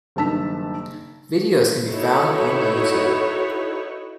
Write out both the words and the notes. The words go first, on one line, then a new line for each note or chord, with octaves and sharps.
Videos can be found on YouTube.
F#1 G2 D#3 A5 E6 B6
D#4 E4 F#4 A4 B4 C#5